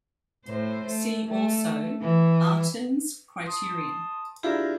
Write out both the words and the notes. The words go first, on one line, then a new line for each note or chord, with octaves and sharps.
See also: Artin's criterion.
A2 C5
A3
A3
E3
A5 C6 D#6
D#3 D4 E4 F4 G4 G#4 A#4